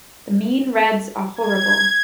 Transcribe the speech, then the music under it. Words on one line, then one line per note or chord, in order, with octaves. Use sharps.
The mean reds are horrible.
G#6